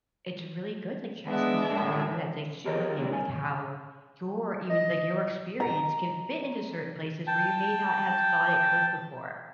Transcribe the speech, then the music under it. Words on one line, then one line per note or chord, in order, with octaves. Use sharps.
it's really good like, ChatGPT is really good at, like, showing you, like, how your, even like, your experience can fit into certain places where you may not have thought it could before.
G#3 B3 D4 E5
F#2 A2
G4 G#4 A#4 C#5 D#5
A2 C3 G3 A#3 D4
G#5
D#5
A#5
G5 A5